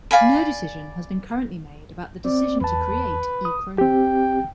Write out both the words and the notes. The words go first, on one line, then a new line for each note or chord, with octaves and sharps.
No decision has been currently made about the decision to create "e-krona".
D5 F5 G#5 B5
C4 D5
E2 B4 A5
D#6
C4 G4 G5